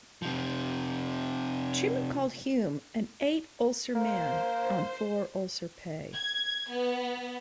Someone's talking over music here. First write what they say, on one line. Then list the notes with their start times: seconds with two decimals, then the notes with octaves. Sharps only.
Truman called Hume an eight ulcer man on four ulcer pay.
0.22 C3 F3
3.95 A#3 C5
6.14 G#6
6.69 B3